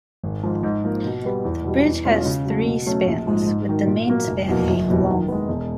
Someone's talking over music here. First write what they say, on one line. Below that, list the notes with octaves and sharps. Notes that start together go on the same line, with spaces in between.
The bridge has three spans, with the main span being long.
G#1
G#2 F3
G#2
F3 A#3
B2
G3 B3
E2
B2 G3
E2
B2 G#3 C#4 F4
C#3
F#3 A3
B2
F#3 A3 C#4
A#1
G#2 F3 G#3
G#2
D#3 F#3
A#2
F#3 A#3
F1
E2 B2 F#3 A#3
F#1
E2 B2 G3
D#3
G#3 B3
E1